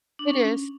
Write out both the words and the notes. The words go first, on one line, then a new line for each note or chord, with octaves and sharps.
It is.
D4
C#4